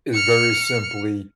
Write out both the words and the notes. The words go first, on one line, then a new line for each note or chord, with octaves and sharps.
is very simply,
F6 C#7